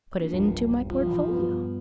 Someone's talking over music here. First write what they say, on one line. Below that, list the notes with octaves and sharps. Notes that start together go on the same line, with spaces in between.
"Put it into my portfolio."
A#1
E1 B1 G2
F3
C#2 A#2 E3
G2 B3